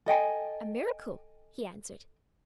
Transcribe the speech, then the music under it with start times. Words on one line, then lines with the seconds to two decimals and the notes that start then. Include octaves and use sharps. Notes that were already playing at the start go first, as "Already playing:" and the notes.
"A miracle," he answered.
0.06 A4 D#5 G5 G#5